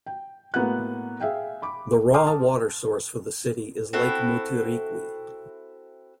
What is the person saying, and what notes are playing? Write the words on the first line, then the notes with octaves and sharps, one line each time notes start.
The raw water source for the city is Lake Mutirikwi.
G5
A2 A#3 B3 F#4 F#5 F#6
G#4 E5 F5 G5
B5 D6
G5 C6 D6 D#6 F6
A5 D#6
C4 E4 F#4 A4